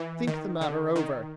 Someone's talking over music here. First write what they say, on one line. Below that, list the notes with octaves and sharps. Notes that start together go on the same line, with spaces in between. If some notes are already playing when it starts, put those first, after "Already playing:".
Think the matter over!
Already playing: E3
D#3
D3
D#3